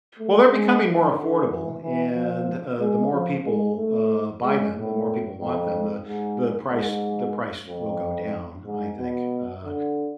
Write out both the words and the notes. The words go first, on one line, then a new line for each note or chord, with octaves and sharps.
well they're becoming more affordable and, uh, the more people, uh, buy them, the more people want them, the the price the price will go down, I think, uh,
A3
G#3
F3
D3
E3
E3
F3
G#3
F3
G#3
A3
G#3
A2
F2
G#2
G#2
F2
G#2
B2
D3